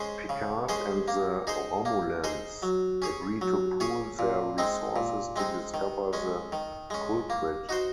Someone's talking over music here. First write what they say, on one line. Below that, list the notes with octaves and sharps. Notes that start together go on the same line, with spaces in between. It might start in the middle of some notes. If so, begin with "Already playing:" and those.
Picard and the Romulans agree to pool their resources to discover the culprit.
Already playing: G#3 C#4 G#4 C5
C#3
G#3 C#4 G#4 C5
A#3
D#4 G#4 C5
A#3
D#4 G#4 C5
F#3
C#4 G#4 C#5
F#3
C#4 G#4 C#5
A#2
G#3 C4 D#4
A#2
G#3 C4 D#4
D#3
G#3 C#4
D#3
G#3 C#4
A#3
D#4 F#4 C5